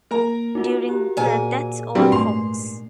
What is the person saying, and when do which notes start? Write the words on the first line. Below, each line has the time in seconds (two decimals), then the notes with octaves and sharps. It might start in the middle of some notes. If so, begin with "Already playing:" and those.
During the That's all, Folks!
0.11 A#3 A#4 A#5
0.55 D#4 F4 F#4
0.89 G4
1.17 A#2 G#4 C5 G#5
1.95 G3 C4 D4 F#4 B4 D5 B5
2.12 G#2 A3 C6 C7 F7